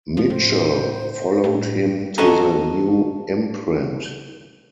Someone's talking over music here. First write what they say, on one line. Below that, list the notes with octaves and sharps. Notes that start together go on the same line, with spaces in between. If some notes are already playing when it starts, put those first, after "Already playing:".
Mitchell - followed him to the new imprint.
F3
A2 C5
A2
F#4 G#4 A4 D#5 A#5